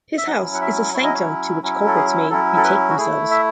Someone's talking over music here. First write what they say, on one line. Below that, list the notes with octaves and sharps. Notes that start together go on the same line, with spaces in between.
His house is a sanctum to which culprits may betake themselves.
E5
F#3 C#4 E4 F#5
F#5
E5
F#3 C#4 E4 C#5
D#5
C#5
F#3 C#4 E4
A4
G#4
F#3 C#4 E4 A4
A4
B4
F#4
A3 E4 G#4
E5